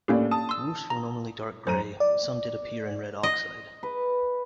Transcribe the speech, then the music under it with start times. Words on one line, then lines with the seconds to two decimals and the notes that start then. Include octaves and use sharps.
Roofs were normally dark grey but some did appear in red oxide.
0.08 A2 A#3 C#4 D4 G4
0.31 A5 D#6
0.49 C6 E6
0.90 A#5
1.67 F#2 C5 A#5 D#7
2.00 D5
3.23 D#5
3.83 B4